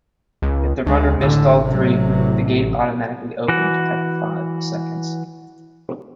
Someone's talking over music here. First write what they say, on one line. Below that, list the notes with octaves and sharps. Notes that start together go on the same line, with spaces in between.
If the runner missed all three, the gate automatically opened after five seconds.
C#2
D2 G#3
A1 D3
C3 F#3
E3 F#4